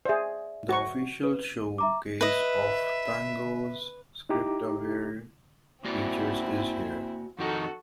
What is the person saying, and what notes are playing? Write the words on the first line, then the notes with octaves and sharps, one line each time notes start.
The official showcase of Pango's script-aware features is here.
G#4 C5 D5 E5
F#4 C#6
B4
D#7
E5 A#5 D6
B4 D#5 E5
D#4 E4 G4 A#5 D6
A#3 C4 E4 F#4 D5
F2 D#3 D#4 F#4 A4